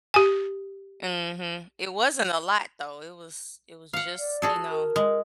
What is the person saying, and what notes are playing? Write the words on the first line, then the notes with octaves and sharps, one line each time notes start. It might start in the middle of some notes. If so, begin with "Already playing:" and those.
Mhm. It wasn't a lot, though. It was it was just you know?
G4 G#5
F5 F#5
D5
F#4 G#4 A4
A#4
G#3